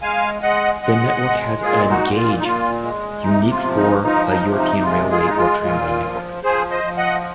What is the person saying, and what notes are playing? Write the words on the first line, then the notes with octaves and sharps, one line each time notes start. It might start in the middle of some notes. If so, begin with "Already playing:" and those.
The network has an gauge, unique for a European railway or tramway network.
G#3 F5 G#5
G#3 D#5 F#5
G#3 D#5 F#5
G#3
A#2 F4 G#4
D#4 F#4
A#2
F4
D#4
A#2 F4
G#3
C3 D#4
F4
F3
D#4
F3 D#4
D#4
C3
D#4
D#4
G#3 F4
F4 G#4
G#3 D#4
F4
A#2 F4
F3
F3 G#4 C5
C5 D#5
F3
D#5 F#5